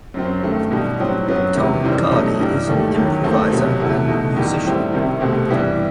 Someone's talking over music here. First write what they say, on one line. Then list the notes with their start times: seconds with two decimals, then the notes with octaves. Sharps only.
Tom Cardy is an improviser and musician.
0.14 F#2 F#3 C4
0.42 G2 D#3 A3
0.70 B2 G3 D#4
0.98 A2 F#3 C4
1.26 F#2 F#3 B3
1.55 E2 C3 D#3
1.83 F#2 E3 G3 C4 D#4
2.10 B2 F#3 A3 D#4
2.39 G2 E3 G3 D#4
2.67 D#2 D#3 A3
2.95 E2 D#3 F#3
3.24 D#2 D#3 A3 C4 D#4
3.51 C2 B2 F#3
3.80 E2 B2 A3 E4
4.08 B2 A3 D#4
4.36 E2 D#3 G3 D#4
4.64 A2 G3 C4 E4
4.92 C2 C3 D#3
5.20 C2 B2 A3 C4
5.48 G2 E3 G3 B3 E4